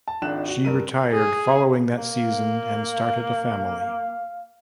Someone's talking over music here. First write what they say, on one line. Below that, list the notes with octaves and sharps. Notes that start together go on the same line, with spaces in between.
She retired following that season and started a family.
A5
G#1 C#2 D4 F4 F#6 E7
F#4
G2 A#4 D#7
G#4
A#3 F5